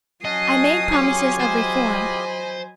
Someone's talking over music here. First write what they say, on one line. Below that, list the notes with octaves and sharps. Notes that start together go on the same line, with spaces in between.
I made promises of reform.
F#3 C#4 D#5 F#5 G#5 A5 D#6 C7
C#4 F4 G4 G#4
C5 D#5 B5